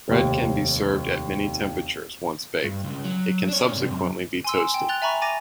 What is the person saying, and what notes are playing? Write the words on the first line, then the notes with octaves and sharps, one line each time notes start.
Bread can be served at many temperatures; once baked, it can subsequently be toasted.
F1 D#2
G2
C#2 C#3
F#3
D4 C#5
G#2 C3
F#2
G#5 C6 E6
E7
G5
F#6 A6 F7 G7
E5 G#5 A#5 B5 C#6
G#5 A#5 D6 A6 A#6 D#7